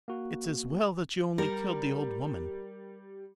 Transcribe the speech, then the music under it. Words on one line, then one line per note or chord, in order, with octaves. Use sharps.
It's as well that you only killed the old woman.
A#3 F#4
G3 A#4